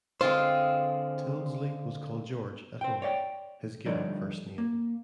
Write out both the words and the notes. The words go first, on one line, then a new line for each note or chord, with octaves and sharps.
Tyldesley was called 'George' at home, his given first name.
D3 G#3 C4 F4 C5
C5 G5
C#5 D5 F5 G5
D3 F3 G3 D#4 C#5 D5
A#3